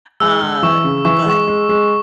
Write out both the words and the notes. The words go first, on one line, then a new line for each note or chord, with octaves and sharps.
uh, but,
G#3 E6
G#3
E3 C#6
C#3
E3 C#6
G#3 C#6
G#3
G#3